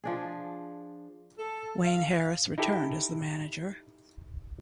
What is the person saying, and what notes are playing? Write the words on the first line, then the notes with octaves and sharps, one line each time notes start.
Wayne Harris returned as the manager.
F3 D4 G#4
A4
F5
D#4 E4 G4 A4